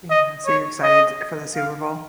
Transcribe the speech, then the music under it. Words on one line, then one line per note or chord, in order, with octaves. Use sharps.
Yeah. So you're excited for the Super Bowl?
D#5
C#5
D#5
F5